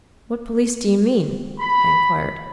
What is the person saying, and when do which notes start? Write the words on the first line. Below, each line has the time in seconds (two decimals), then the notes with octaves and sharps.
"What police do you mean?" I inquired.
1.60 B5